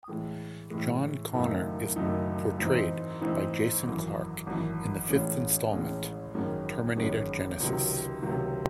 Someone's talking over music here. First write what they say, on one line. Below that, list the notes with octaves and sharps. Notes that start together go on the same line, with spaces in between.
John Connor is portrayed by Jason Clarke in the fifth installment, Terminator Genisys.
A2 E3 G#3
A2 E3 G#3
F#1 F#2 D#3 A3 D#4
F#1 F#2 D#3 A3 D#4
G#2 E3 C4 D#4
G#2 E3 C4 D#4
G#1 F#2 E3
G#1 F#2 E3
A1 A2 G#3 C#4
A1 A2 G#3 C#4
G#1 F#2 D#3 G#3 C#4
G#1 F#2 D#3 G#3 C#4
C#2 C3 D#3 F#3
C#2 C3 D#3 F#3